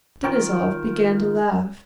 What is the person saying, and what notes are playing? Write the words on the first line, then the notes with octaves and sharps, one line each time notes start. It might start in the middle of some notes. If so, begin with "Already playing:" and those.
Denisov began to laugh.
D#3 F4 G5